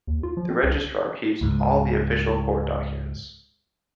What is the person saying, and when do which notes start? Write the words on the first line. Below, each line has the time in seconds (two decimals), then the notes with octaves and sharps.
The registrar keeps all the official court documents.
0.07 D#2
0.23 F4
0.37 F3
0.50 C4
0.63 C2
1.41 C#2 G#2